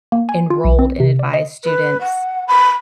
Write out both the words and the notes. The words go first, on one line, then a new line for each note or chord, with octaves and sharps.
enrolled and advised students
A#3
G#5
F4
B1
C4
C3
D5
D#5
B4
F#5
B5